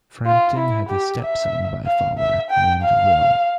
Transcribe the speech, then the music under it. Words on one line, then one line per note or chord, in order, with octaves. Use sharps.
Frampton had a stepson by Faller named Will.
F4
E4
G4
E5
F5
E5
G5
F5